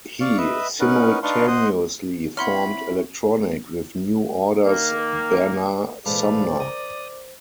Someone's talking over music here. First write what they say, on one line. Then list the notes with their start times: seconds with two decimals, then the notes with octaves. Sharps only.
He simultaneously formed Electronic with New Order's Bernard Sumner.
0.21 D5 F5 C#6
0.38 B4 D#5 E5
0.80 C#4 D#4 A#4 B4 F#5
1.23 D4 D#4 B4 F5 C6 C#6
1.47 C5 D#5 F#5 C6 D#6
2.37 C4 E4 C#5 F#5 B5 C6 F6
4.63 D#3 A#3
6.06 A#2 E3 G#3 A4 B4 C5 D5 F5
6.60 A#4 D#6